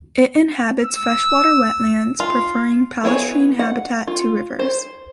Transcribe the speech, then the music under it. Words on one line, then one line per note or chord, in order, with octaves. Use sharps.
It inhabits freshwater wetlands, preferring palustrine habitat to rivers.
E6
F4
B3 E4 G#4 C#5
F#5
F4
C5